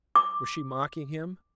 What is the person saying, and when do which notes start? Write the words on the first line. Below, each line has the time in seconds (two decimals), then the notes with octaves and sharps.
Was she mocking him?
0.16 D6